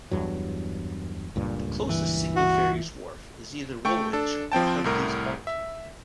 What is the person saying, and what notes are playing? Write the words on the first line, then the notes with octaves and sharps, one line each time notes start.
The closest Sydney Ferries wharf is either Woolwich or Huntleys Point.
E2 G2 F#3
C#2 G2 A#2
E3
F#4
A3 G5 C#6
D4 A4
F3 C4 G5 A5
C2 A2 A#4
E5